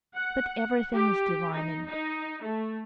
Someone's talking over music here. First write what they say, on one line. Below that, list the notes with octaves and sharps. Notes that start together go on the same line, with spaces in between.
But everything is divine in you....
F#5
G4
D#4
D#4
A3